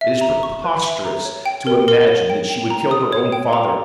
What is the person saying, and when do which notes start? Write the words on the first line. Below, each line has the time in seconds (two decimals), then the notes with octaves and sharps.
It is preposterous to imagine that she would kill her own father.
0.01 E5
0.21 A#5
0.43 C#6
0.64 B4
0.84 E5
1.05 A#5
1.25 C#5
1.46 G5
1.67 A#4
1.88 A#4
2.08 C#5
2.30 G5
2.49 G5
2.70 A#5
2.91 D#6
3.12 C#5
3.32 G5
3.53 A#5